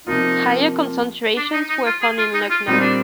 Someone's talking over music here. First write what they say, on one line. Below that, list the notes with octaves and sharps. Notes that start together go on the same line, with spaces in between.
Higher concentrations were found in Lucknow.
C3 F3 A#3 D#4 F4
D4
D#4
D#4
F4
G#4
F4
D#4
F4
A#2 G3 C4 D#4 F4
D4